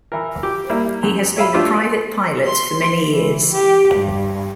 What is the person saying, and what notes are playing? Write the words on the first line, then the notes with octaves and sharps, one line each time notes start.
He has been a private pilot for many years.
E3 A#4
G4
G3 A#3 E4
F#2
C#5 E5 F5 B5
A3 D4 F4 G4
C6
E3
G4
G2